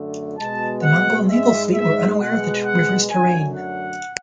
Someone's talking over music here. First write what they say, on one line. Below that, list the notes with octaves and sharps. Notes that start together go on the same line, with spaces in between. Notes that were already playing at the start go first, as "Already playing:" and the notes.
The Mongol naval fleet were unaware of the river's terrain.
Already playing: F#2 D3 A3
B2 G#3 A5
F#5
G#2 G#3 E5
E5
B2 G#3 F#5
F#5
F#2 D3 F#3 A3 G#5
F#5